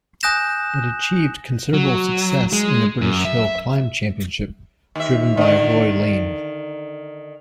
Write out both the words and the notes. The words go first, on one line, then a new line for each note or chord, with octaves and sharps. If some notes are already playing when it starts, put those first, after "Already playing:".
It achieved considerable success in the British Hill Climb Championship, driven by Roy Lane.
G#5 D#6 F#6 G6 A#6 E7
F#3
G#3
F#2
E5
D#2 E5
D3 D#3